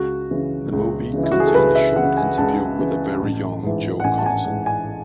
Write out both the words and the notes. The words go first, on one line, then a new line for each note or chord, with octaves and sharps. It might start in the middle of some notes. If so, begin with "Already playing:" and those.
The movie contained a short interview with a very young Joe Conason.
Already playing: C#2 F#4
C#3 E3
C#2
C#3 E3
E4
F#4
G#4
A4
C#2 B4
E5
C#3 E3 F#5
G#5
C#2 A5
C#3 E3
A1
G#2 E3
F#5
A1 G#5
A5
G#5
G#2 E3
G#5